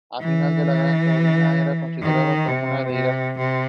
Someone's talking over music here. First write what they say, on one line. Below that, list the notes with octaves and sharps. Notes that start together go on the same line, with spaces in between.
Kimball was placed with Jennie Kimball.
E3
D#3
C3
C3
C3